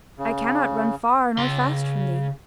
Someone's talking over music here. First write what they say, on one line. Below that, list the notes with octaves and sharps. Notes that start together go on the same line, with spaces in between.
I cannot run far or fast from thee.
C#3
C#3 C6